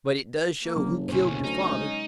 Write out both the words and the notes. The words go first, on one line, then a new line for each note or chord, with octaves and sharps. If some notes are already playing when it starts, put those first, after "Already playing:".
But it does show who killed your father.
A#3
F#1 C3 F#3
D2 B2 C#4 C5
D2 D#4
G#3